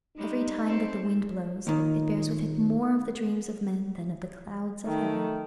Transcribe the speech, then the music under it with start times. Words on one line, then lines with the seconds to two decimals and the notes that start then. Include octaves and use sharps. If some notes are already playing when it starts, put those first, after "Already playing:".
Every time that the wind blows it bears with it more of the dreams of men than of the clouds of heaven.
0.17 G3 G#3 C#4 D#4
0.66 C4 A4
1.67 D#2 A#2 D#3
4.85 D#3 A3